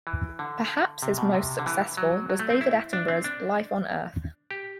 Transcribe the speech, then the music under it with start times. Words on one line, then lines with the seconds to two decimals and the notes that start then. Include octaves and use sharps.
Perhaps his most successful was David Attenborough's "Life on Earth".
0.07 E3
0.39 D3
1.03 C3
1.18 B2
1.34 C3
1.59 D3
1.66 E3
1.97 F#3
2.30 F#3
2.39 A3
2.50 C4
2.61 E4
2.93 D4
3.08 C4
3.24 D4
4.51 G4